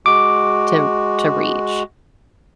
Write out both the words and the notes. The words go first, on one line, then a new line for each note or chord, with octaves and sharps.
to to reach."
G#3 F#4 D6